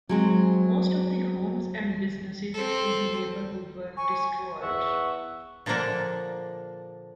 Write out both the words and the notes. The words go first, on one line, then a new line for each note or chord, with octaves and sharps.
Most of the homes and businesses in the neighborhood were destroyed.
F#3 G#3 C4
C4 A4
G#5 C#6
E2 E5 F#5 C#6
A#2 D3 F3 A#3 D4